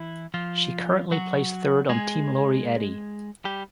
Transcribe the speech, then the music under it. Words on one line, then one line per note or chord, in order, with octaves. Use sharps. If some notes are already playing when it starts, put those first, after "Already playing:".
She currently plays third on Team Lori Eddy.
Already playing: E3 E4
F3 F4
F#3 F#4
G#3 G#4
G3 G4